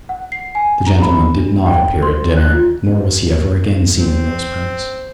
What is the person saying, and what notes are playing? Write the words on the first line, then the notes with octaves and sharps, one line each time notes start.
The gentleman did not appear at dinner, nor was he ever again seen in those parts.
F#5
C7
G#5
A#5
B5
D4
G5
C6
F#6
F4
C4